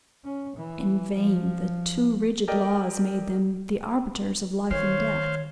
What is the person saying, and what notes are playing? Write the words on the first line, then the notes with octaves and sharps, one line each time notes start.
In vain the too rigid laws made them the arbiters of life and death.
C#4
E3
F3
G4 A4 A#4 D5 D#5 G5
D#3 C5 C#5 F5